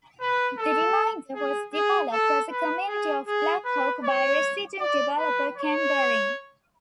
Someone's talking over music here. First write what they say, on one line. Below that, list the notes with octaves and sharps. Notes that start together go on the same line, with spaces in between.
The remainder was developed as the community of Blackhawk by resident developer Ken Behring.
B4
A4
G#4
G#4
A4
B4
G#4
G#4
B4
C#5
D5
B4
C#5